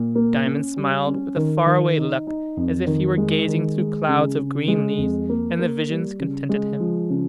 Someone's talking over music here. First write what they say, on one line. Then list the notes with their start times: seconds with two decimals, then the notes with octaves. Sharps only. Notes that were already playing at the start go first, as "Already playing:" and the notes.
Diamond smiled with a far-away look, as if he were gazing through clouds of green leaves and the vision contented him.
Already playing: A#2
0.15 A#3
0.46 C#4
0.76 G3
1.07 C#4
1.36 D#3
1.66 D#3
1.98 D#4
2.27 D#4
2.57 F2
2.87 D#3
3.17 G#3
3.48 D#3
3.78 G#3
4.08 C#3
4.39 C#3
4.68 G#3
4.98 F2
5.29 A#3
5.59 A#3
5.89 G3
6.20 C#3
6.49 G#3
6.80 F3
7.10 C#3